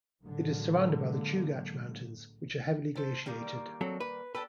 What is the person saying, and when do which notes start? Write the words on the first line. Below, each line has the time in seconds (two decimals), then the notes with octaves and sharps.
It is surrounded by the Chugach Mountains, which are heavily glaciated.
0.23 A2 D3 F#3 G#3 A#3
2.96 A4 C5
3.26 D#3 G3 A#3
3.81 F#3 C4 A4
4.00 B4
4.35 D4 G4 A4 B4